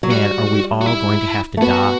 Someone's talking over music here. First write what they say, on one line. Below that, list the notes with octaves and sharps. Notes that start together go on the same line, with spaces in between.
Dan, are we all going to have to die?
F#3
G3 F#4
F#4
E4
A3
B3 F#4